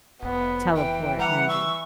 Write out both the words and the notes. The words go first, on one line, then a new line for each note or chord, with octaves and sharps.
teleport, maybe.
F1 B3
E3 G5
G3 F#5 A#5
C#6 E6